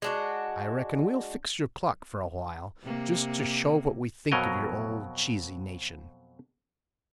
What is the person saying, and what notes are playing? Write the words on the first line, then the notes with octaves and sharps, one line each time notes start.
I reckon we'll fix your clock for a while just to show what we think of your old cheesy nation.
G#3 D4 F#4
C3 A#3
F2 B2 F#3 A#4 C#5 D#5